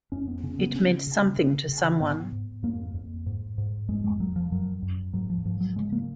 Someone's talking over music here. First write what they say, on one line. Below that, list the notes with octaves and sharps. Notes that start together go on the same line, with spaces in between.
It meant something to someone.
F2 C#4
B3
C#3 C#4
B3
C#3 C#4
C#3
C#3
C#3
G#2 B3
G#2
F2 A#3
F2
G#2
G#2
F2 G#3
G#3
F2 F#3
F3
F#2 F#3
F#2
G#2 F#3
F3
G#2 F3
F#3
C#3 G#3
A#3